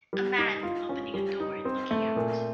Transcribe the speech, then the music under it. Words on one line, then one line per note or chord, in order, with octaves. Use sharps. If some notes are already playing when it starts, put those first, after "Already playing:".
A man opening a door and looking out.
G3
D#4
F4
C#4
G3
D#4
C4
A3
A#2